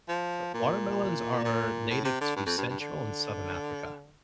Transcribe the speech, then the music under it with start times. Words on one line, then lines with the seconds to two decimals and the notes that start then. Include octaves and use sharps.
So, watermelons are native to Central and Southern Africa.
0.09 F3
0.54 A#2
1.45 A#2
1.90 A2
2.05 C3
2.21 D3
2.36 G2
2.46 F2
2.58 G2
2.70 G2
2.80 D3